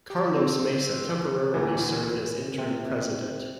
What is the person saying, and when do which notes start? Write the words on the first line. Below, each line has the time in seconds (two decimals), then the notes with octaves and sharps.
Carlos Mesa temporarily served as interim President.
0.10 G4
0.35 C4
1.54 D2 D3 E3
2.58 C3